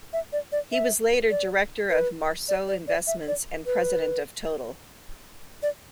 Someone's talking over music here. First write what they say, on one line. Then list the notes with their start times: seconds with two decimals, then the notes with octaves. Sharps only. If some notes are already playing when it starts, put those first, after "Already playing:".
He was later director of Marceau Investissements and President of Total.
0.13 E5
0.33 D5
0.52 D5
0.72 E5
1.31 D5
1.90 B4
2.49 D5
2.68 D5
2.88 D5
3.07 E5
3.28 D5
3.66 B4
5.63 D5